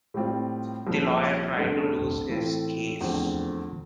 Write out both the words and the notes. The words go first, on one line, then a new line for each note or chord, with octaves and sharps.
The lawyer tried to lose his case.
A2 G3 C4 F4
C2 A#2 F3
G1 F2 D3 A3
A2 E3 A3 C4 F4
F1 E2 D3 F3 C4